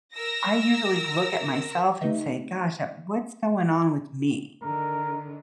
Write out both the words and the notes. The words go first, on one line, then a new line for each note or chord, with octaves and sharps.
I usually look at myself and say, "Gosh, uh, what's going on with me?"
A#4 E6 A#6
A3 D#4 G4 B4 D#5 E5
D3 D#3 A#4